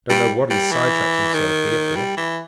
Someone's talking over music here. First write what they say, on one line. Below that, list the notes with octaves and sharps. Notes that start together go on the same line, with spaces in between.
Don't know what he's side-tracked himself here for.
G3
G3
E3
D#3
G3
E3